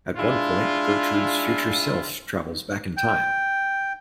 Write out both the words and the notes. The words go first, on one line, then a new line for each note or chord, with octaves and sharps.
At one point, Gertrude's future self travels back in time.
G#3 D4 E4 F4
G5